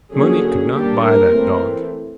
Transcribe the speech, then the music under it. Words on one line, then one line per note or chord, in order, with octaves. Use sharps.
Money could not buy that dog.
D3 F#3 A#3 C#4 G#4
G3 A#3 D4 G4
A#4
E3 A3 C4